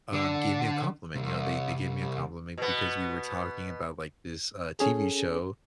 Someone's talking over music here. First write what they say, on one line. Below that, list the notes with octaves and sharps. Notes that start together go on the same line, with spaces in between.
um, gave me a compliment. You know, they they gave me a compliment because we were talking about, like, this, uh, TV show
D3
C2
B2 B3
C#4 G#4 A4